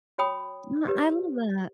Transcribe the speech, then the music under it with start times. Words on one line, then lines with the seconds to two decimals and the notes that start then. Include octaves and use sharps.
No, I love that.
0.18 F#4 C#5 G5 B5 D#6
0.88 G4 A#4 B4 C#5